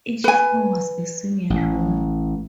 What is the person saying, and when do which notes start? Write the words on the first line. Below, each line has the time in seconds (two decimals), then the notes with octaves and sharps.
Each floor was a single room.
0.24 B4 G#5
1.50 A1